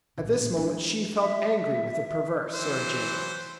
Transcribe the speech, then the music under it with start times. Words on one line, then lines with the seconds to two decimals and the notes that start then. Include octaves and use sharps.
At this moment she felt angry with the perverse Sir James.
0.18 A#1 A2
0.57 G#3 D4
1.18 E5
2.54 E3 F#3 C5